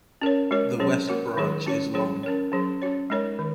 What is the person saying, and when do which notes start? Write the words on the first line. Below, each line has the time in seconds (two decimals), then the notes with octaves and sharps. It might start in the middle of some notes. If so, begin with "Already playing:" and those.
The West Branch is long.
0.21 C#4 A#4 C#5
0.51 G#3 F#4 A#4 C#5
0.80 F#3 C#4 G#4 C#5
1.07 A#3 F#4 A#4 C#5
1.36 D#3 F#3 D#4 G#4 C#5
1.66 C#4 F#4 C#5
1.94 F#3 C#4 G#4 C#5
2.23 C#4 A#4 C#5
2.52 F#3 C#4 G#4
2.82 C#4 F#4 C#5
3.10 G#3 D#4 A#4 C#5
3.39 D#3